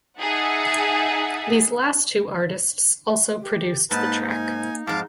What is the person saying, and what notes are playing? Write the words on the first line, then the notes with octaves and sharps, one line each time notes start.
These last two artists also produced the track.
D#4 G#4 E5 F#5 A5
G4
G#2 A#3 D#4 B4 A5
G#5
F2 G#2 G#4 F5 A5 D6